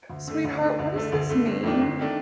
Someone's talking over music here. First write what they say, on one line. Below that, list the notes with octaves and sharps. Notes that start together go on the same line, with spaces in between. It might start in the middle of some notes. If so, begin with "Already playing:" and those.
"Sweetheart, what does this mean?"
D2
D3 A3
D2
D3 A3
D2
D3 A3
D2
D3 A3
G1
F2 D#3 A3 D4
G1
D#3 A3 D4